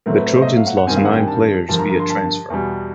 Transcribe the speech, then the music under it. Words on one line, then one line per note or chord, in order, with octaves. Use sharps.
The Trojans lost nine players via transfer.
A2 F#3 A3 C4 A#4
B4
B4
C5
D#5
E5
F5
F#5
F#5
G2 D#3 G3 C4 G#5
F5
F#5
G5
G#5
A5
G2 D3 F3 A#3 A5
A#5
A#5
C6
A5
E2 B2 G3